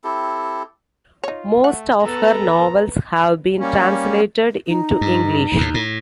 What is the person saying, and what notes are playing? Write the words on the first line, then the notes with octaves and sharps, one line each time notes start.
Most of her novels have been translated into English.
C4 E4 G4 A4
D#4 F4 C#5
A3 F#5
B3 A4 B4 A#5
G3 A#3 C#4
D#4
G2
D#2 A2
A2